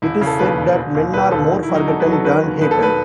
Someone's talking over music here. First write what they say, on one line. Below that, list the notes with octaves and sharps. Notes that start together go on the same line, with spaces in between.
It is said that men are more forgotten than hated.
E1 E4
C#3
A4
D#2 B4
E1
E1
D#2
E1 B4
D#2 A4
D#3
E4
F#3
D#4
E2 A4
B4
F#3
A4
D#3 B4
D#2
E1 B4
A4
D#3 B4